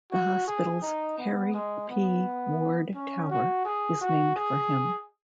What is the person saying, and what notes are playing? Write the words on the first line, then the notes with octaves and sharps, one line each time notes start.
The hospital's Harry P. Ward Tower is named for him.
F#4
G#4
D#4
B3
G#3
B3
C#4
F#4
G#4
F#4
G#4